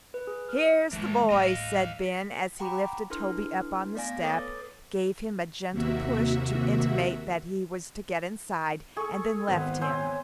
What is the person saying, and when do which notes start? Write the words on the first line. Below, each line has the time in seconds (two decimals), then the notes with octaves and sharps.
"Here's the boy," said Ben, as he lifted Toby up on the step, gave him a gentle push to intimate that he was to get inside, and then left him.
0.14 B4
0.27 G#4
0.49 F6
0.93 A2 E3 G3 G#3
1.30 A1 G3 D#5 F5
2.06 B6
2.59 F#5 G5 A#5 B5 C#6 D6
3.10 D4 E4 A4 B4 C6 F6
3.95 A3 B3 D5 F5 G#5 A#6
4.23 A4 B4 C#5 D6 D#6 A6
5.71 D#2 C3 A#3 F#4 E5
8.97 G#4 A4 C#6
9.49 G#1 B3 B4 C5
9.81 C5 C#5 G#5 E6